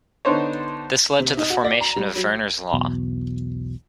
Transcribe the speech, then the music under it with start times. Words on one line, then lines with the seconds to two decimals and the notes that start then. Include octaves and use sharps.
This led to the formation of Verner's Law.
0.25 D3 B3 D4 D#4 C5 C#5
1.20 C3
1.37 D#4
1.50 F#4
1.64 D5
1.81 A#5
1.96 G3
2.16 F#3
2.72 B1 E2 B2